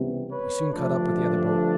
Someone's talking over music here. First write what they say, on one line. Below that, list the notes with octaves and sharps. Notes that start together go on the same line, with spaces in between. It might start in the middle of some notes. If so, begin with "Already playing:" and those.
We soon caught up with the other boat.
Already playing: C#2 C3 E3 G3 B3
B4 C#5
G2 D3 F3 A3 D4